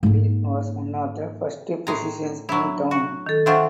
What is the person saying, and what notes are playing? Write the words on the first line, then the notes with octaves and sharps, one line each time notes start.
Leith was one of the first physicians in town.
G#2 A#3
A2 G#3 A#5
F#3 D4 E4
F#4
D#3 A4
C4 D4 F4 E5 F#5 C#6